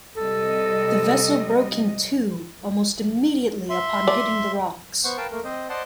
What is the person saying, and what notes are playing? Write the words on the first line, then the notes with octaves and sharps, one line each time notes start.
The vessel broke in two almost immediately upon hitting the rocks.
C3 G3 A4 D#5
E5 C6
D5
B3 C5 F#5 C#6
A#4 B4 F5 G5 A5
A3 A#3 A#4
C4 C5 D#5
C5 D5 D#5 F#5 A5 C6